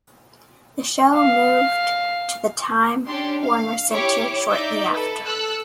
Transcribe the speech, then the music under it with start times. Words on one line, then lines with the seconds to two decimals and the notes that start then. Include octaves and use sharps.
The show moved to the Time Warner Center shortly after.
1.15 F5
3.08 C#4 D4 G4 C6
3.41 F5
3.91 E4 G4 C#5 D6
4.49 D#4 D5 E5 D6 G6
4.90 A4 B4
5.25 A4 E6 F#6